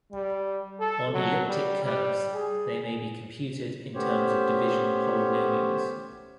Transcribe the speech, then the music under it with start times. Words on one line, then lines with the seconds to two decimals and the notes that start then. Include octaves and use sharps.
On elliptic curves they may be computed in terms of division polynomials.
0.12 G3
0.80 A4
1.14 F#3
1.48 G3
1.84 G3
2.34 G#4
3.95 A3 B3 C#4 G4 C5 C#5